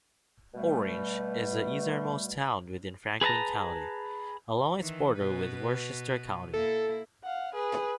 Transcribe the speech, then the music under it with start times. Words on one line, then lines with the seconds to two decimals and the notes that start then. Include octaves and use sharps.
Orange is the easternmost town within Franklin County along its border with Worcester County.
0.55 B2 G3 A3
3.21 G#4 B4 E5 A5 A#5
4.79 D#3 E3
5.18 B2 B4
6.53 A#3 E4 A4
7.23 F5 F#5
7.55 G#4 B4